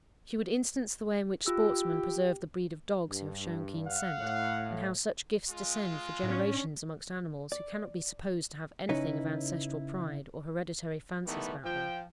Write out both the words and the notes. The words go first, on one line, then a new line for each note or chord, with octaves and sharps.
She would instance the way in which sportsmen preserve the breed of dogs who have shown keen scent; and how such gifts descend for generations amongst animals, who cannot be supposed to have anything of ancestral pride, or hereditary fancies about them.
F4 G4 E6
G2
F5 F#5
A2
G#3 F4
A2 C#4 D4
D5
C#3 C#4 D#4 E4 B4
D#3 E3 G3 A3 B3
F3 G5